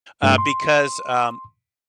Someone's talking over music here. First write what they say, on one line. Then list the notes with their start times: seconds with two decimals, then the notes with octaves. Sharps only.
uh, because, um
0.23 G2 A3
0.38 C6